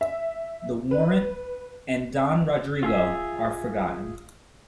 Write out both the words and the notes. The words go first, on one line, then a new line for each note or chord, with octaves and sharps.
The warrant, and Don Rodrigo, are forgotten.
E5
B4
F4 G#4 E5